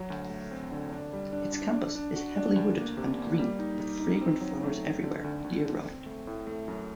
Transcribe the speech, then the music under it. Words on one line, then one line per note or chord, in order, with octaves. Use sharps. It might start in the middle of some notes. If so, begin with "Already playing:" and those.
Its campus is heavily wooded and green, with fragrant flowers everywhere year-round.
Already playing: F#3
D2
A3
C4
D3
D4
G3
D4
D4
D4
D4
F#4
D4
D2
A#3
C3
A#3
G3
D#4
D#4
D#4
C4
F#3
A3
C4
D3
D2
D2
D3
C4
A3
A2
A3
F#2